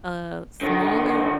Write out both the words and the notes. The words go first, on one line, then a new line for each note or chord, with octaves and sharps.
a smaller
D3 D#3